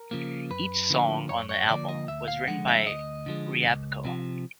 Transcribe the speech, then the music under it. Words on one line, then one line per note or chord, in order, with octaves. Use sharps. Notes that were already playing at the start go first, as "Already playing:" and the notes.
Each song on the album was written by Riabko.
Already playing: A#4
C#3 F3 A#3
F#2 B4
D3 F3 A#3
F#2 C#5
C#5
D3 F3 A#3 D5
D#5
D2 E5
F5
D3 F3 G#3 F#5
E5
D2 D#5
D3 F3 G#3
C#2
C3 F3